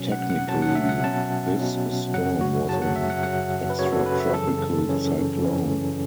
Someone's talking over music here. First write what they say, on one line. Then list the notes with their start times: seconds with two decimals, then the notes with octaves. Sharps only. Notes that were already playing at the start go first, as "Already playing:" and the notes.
Technically, this storm was an extratropical cyclone.
Already playing: B2 F#3 C#4
0.12 F#5
0.30 F#5
0.48 B2 F#3 C#4 A5
0.62 F#5
0.75 E5
0.89 F#5
1.03 B2 F#3 C#4 A5
1.58 B2 F#3 C#4
2.14 F#2 C#3 F#3 F#5
2.41 F#4
2.69 F#2 C#3 F#3 A5
2.82 F#5
2.96 E5
3.10 F#5
3.23 F#2 C#3 F#3 F#5
3.70 B4
3.79 F#2 C#3 F#3 C#5
3.86 F#4
3.92 A4
4.06 B4
4.20 E5
4.34 F#2 C#3 E3 C#4 A4
4.89 F#2 C#3 E3 C#4
5.44 F#2 C#3 E3 C#4